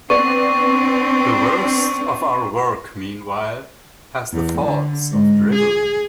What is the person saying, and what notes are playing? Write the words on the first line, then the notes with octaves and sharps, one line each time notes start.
The worst of our work, meanwhile, has the faults of drivel.
B3 C4 D4 D5 C#6
E2
D3
G#2
G#4